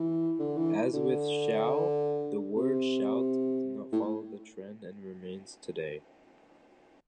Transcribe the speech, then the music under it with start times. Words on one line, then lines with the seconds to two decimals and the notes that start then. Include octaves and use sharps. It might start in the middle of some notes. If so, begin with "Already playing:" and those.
As with "shall", the word "shalt" did not follow the trend and remains today.
Already playing: E3
0.39 D3
0.57 E3
0.94 D3
2.56 C3
3.92 A2